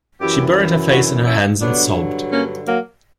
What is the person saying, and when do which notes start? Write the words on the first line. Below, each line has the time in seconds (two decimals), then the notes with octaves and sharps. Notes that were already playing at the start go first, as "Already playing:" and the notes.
She buried her face in her hands and sobbed.
0.20 F#2 E3 E4 G4
0.91 D4 F#4
1.26 C#4 E4
1.61 G2 D3 F#3 B3 D4
2.31 A#3 C#4
2.66 F#3 A#3